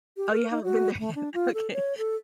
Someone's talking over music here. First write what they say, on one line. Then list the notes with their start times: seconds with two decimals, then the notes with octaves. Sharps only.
Oh, you haven't been there yet? Okay,
0.17 G4
0.31 A#4
0.51 D#4
0.64 F#4
0.99 A3
1.15 D4
1.34 F4
1.54 A4
1.73 C#5
1.98 A4